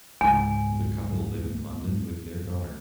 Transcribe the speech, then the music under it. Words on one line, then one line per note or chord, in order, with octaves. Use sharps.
The couple live in London with their daughter.
C#2 G#2 G#5